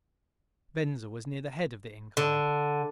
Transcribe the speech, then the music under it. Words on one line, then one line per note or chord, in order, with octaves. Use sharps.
Venza was near the head of the incline.
D3